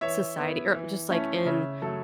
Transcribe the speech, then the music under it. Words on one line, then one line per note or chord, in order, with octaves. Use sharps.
society or just, like, in
E3 C#5 E5
B3 E4
E3
A3 C#4 E4
C#3 C#5 E5
F#3 A3 A4